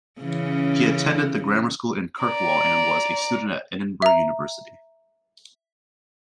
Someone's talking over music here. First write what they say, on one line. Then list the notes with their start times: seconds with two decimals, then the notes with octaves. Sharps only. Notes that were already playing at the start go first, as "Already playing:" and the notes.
He attended the grammar school in Kirkwall, and was a student at Edinburgh University.
0.21 C#3 E3 C#4
2.24 D5 A#5
4.02 E5 A#5